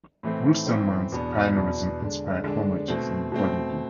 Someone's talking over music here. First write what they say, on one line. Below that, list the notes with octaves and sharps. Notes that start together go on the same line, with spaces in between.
Wilstermann's pioneerism inspired homages in Bolivia.
A2 E3 A3 C4
A2 E3 A3 C4
E2 B2 B3 D4
E2 B2 B3 D4
D3 G#3 D4
D3 G#3 D4
B2 A3 C4
B2 A3 C4